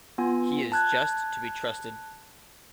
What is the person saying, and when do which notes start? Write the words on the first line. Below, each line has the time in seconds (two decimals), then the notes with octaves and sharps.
He is just to be trusted.
0.18 B3 F4 G#5
0.72 A5 F#6 G#6